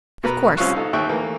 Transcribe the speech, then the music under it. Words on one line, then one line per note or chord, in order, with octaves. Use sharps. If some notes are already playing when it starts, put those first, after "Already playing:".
"Of course."
B2 A#4 B4 A#5
C2 F3 C#4 F5 C#6 F#6
D#4 A4
D#2 E5 G5 C#6 F#6
E3 A3 A#3